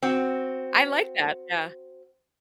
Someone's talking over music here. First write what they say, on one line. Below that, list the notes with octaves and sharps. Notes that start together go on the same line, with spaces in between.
I like that, yeah.
C4 F#4